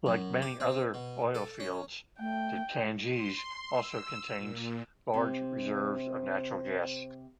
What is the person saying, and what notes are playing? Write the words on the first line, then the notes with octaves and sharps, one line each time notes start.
Like many other oil fields, the Tengiz also contains large reserves of natural gas.
F#2
G4
C4
B2
A4
C#4
A3 G5
C6
E6
A#2
C3 C5